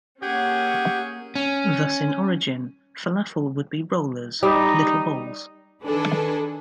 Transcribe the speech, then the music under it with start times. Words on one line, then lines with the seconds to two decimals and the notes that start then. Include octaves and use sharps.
Thus in origin, falafel would be rollers, little balls.
0.22 A#3 C#4 G4 G#4 F#5
1.35 C#4
4.43 G3 D#4
5.84 D#3 D4 G#4 A4 B4